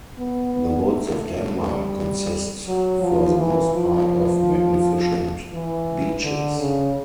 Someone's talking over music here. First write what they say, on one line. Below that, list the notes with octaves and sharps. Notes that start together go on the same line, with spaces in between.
The woods of Denmark consist for the most part of magnificent beeches.
B3
B3
A3
A3
G3
F#3
F3
E3
F3
E3
D3
C#3